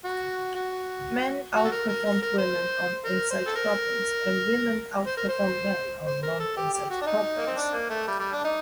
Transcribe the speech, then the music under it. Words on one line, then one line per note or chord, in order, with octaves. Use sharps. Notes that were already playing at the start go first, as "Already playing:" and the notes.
Men outperformed women on insight problems, and women outperformed men on non-insight problems.
F#4
F#4
F#4
A4
A#4
A#4
A#4
A#4
C5
A#4
C5
A4
A#4
C5
A#4
C5
C5
A#4
A4
G4
G4
F#4
D4
D#4
A#3
C4
D4
A#3
A3
G3
G3
D4
D#4